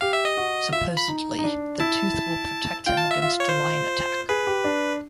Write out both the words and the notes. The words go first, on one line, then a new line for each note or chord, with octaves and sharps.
Supposedly the tooth will protect him against a lion attack.
G4 F5
E5
D#5
F#4
F4 E5
B5
D#4
D#4
D4
E4 A5
F4 G5
A5
E5
F4 E5
C#5
C5
G#4 B4
G4
D4